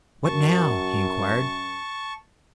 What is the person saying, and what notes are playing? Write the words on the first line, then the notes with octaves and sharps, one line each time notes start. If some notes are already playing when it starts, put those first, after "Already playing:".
"What now?" he inquired.
F#2 A5 C#6